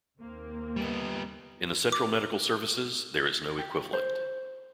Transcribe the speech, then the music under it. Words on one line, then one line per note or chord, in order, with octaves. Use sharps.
In the Central Medical Services there is no equivalent.
D#2 A#3 C4
G3 B3
D6
G4
C5